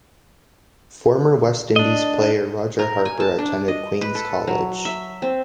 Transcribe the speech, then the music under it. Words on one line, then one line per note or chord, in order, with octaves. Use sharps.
Former West Indies player Roger Harper attended Queen's College.
D4 D#5
A#4
G#5
A5
D4
D#5
B4
A4
F#3
E5
C4